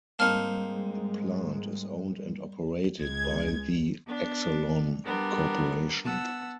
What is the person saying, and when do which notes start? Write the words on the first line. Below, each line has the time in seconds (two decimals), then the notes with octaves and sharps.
The plant is owned and operated by the Exelon Corporation.
0.19 G#2 G3 G#3 A#3 C4 D#4 A5 F6
3.00 C#2 G#3 G#6
4.06 B3 D4
5.04 G3 B3 D4 A#4
6.05 B3 F#5 A5 E6